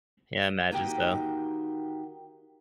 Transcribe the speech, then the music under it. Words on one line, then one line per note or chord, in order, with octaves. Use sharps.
Yeah, I imagine so.
D#3 A#3 D#4 F#4 G4 G5